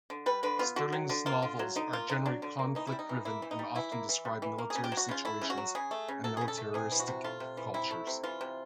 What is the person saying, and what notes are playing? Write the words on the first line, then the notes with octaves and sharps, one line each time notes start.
Stirling's novels are generally conflict-driven and often describe military situations and militaristic cultures.
D3
G3 B4
D3 B4
B3 F4
D3 F#4
F#3
D3
A#3 F4
D3
F#3
D3 D#4
A#3 F4
D3 D#4
F#3 D4
D3
A#3
E3 D#4
G3 E4
D#4
E3
A#3 E4
E3
D#4
G3
E3 E4
A#3
E3
G3
E3
A#3
C#3 G#4
G4
F#3
F#4
C#3 F4
A3 E4
C#3
F#4
F#3
C#3 G#4
A3
C#3
F#3 A4
C#3 G#4
A4
A3
C3 G#4
E3
F#4
C3
A3 F4
C3
E3
C3 E4
A3
C3
E3 F4
C3